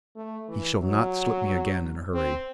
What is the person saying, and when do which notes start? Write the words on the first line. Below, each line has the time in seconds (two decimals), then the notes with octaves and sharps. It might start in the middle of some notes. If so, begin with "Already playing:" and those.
"He shall not slip me again in a hurry."
0.16 A3
0.49 E3
0.81 F#3
2.13 C4